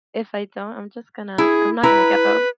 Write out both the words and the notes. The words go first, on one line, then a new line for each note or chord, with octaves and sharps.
if I don't, I'm just gonna I'm not gonna get up.
E4 G#4
E4 B4 A#5